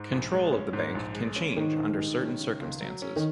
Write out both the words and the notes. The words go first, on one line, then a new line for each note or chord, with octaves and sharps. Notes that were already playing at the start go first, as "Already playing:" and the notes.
Control of the bank can change under certain circumstances.
Already playing: G#2
A#1
G#3
C#4
G#2
A#1
G#3
C#4
G#2 D#3
A#1
G#3
C#4
C#3
C#2
F#3
C#4
D#3